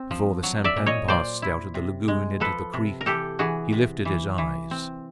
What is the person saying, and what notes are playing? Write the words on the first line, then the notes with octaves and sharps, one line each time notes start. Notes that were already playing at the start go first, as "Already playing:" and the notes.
Before the sampan passed out of the lagoon into the creek he lifted his eyes.
Already playing: C4
F3
F#3
D5 E5
A#2
C#5 D#5
A#2 C5 D5
E4
C3
G#3
F3 A4 B4
C3
A#4
E3 G4 A4
E3 F#4 G#4
C3
E3
E3
C4